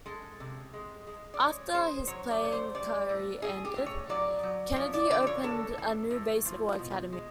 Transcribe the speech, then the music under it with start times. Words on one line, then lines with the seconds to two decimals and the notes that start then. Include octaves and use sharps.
After his playing career ended, Kennedy opened up a new baseball academy.
0.06 G#3 A4
0.40 C3
0.73 G#3
1.07 G#3
1.34 D5
1.40 G#3 C#5
1.73 G#3 C5
2.07 F#3 C#5
2.31 D5
2.42 A3 C#5
2.52 C5
2.75 G3 D5
3.09 A2
3.42 A2 G#4
3.65 G4
3.76 A2
3.86 C#5
4.09 F#3 D5
4.43 F#3
4.72 D5
4.76 F3 C#5
4.93 D5
5.10 D3 D5
5.23 D5
5.27 C#5
5.43 A2 A4
5.78 E3
6.11 A2
6.45 F3
6.79 B2
7.13 G#3